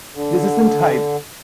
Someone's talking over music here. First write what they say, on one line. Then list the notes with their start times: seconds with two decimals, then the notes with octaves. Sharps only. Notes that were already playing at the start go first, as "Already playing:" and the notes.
This isn't hype.
0.15 D3